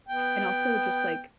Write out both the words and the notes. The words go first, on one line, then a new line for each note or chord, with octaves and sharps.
And also just like,
B3 G5